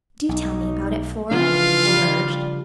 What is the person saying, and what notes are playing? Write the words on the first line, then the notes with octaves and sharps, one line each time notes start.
"Do tell me about it, Flora," she urged.
B1 D#4
C#3 E3 F3 G#3 D4 F4 F5
G3